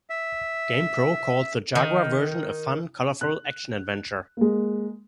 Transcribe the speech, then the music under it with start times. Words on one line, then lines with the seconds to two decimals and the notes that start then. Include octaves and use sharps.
"GamePro" called the Jaguar version "a fun, colorful action adventure".
0.10 E5
1.75 D#3
3.21 F#6
4.37 G#3 A#3